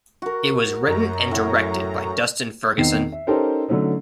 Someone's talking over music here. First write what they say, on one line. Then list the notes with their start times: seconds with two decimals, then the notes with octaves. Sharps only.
It was written and directed by Dustin Ferguson.
0.22 F#4 A#4
0.85 F#2 A#5
1.31 A2 C#5
2.77 E2 D#3 C4 D#4 C7
3.12 E5
3.27 C#4 D#4 G4 A4 A#4 C5
3.69 D3 F#3 A3 C#4 D#4